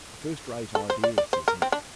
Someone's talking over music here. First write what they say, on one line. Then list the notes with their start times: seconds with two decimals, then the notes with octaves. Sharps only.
'A first-rate idea,' says he.
0.75 A4
0.90 C5
1.04 D5
1.18 D5
1.33 C5
1.48 A#4
1.62 C4
1.72 D4